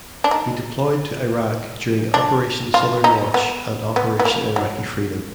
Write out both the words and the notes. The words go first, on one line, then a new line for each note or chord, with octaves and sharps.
He deployed to Iraq during Operation Southern Watch and Operation Iraqi Freedom.
D4
D#4
D4
F4
D#4
B3
B3
B3
A#3
F#3